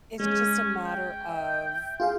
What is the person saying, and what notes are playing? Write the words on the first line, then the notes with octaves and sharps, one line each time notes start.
it's just a matter of,
G#3 C#4
G5
E5
F4 G#4 F5